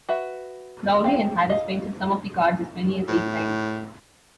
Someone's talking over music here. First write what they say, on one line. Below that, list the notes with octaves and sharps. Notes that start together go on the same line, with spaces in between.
Crowley and Harris painted some of the cards as many as eight times.
F#4 B4 E5
C4 F5 G5
D#5 F5
A2